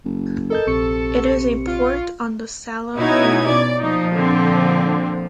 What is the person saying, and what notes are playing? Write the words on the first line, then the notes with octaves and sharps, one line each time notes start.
It is a port on the Saloum River.
F#1
A4 A#4 D#5 G6
A#1 C3 C#6 C#7
F4
B2 C#4 D#4 E4 F#4 G#6
D5
A#2 F3 D#4
D3 C4